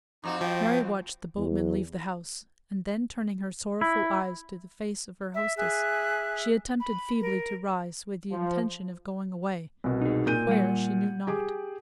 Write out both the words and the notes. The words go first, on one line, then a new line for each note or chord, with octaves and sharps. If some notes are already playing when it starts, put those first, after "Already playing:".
Mary watched the boatman leave the house, and then, turning her sorrowful eyes to the face of her hostess, she attempted feebly to rise, with the intention of going away,--where she knew not.
F2 C4 D#4 F#4
F3 G5
E2
E4
E5
G#4 E5 F#6
B5
A#4
F3
C2 B2
D#4 G#4
A#2 G6 D#7
G3 F#5
G4 G#4 D6